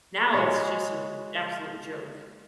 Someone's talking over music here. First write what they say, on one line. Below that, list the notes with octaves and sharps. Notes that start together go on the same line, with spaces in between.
now it's just an absolute joke.
G#3 F#4 C#5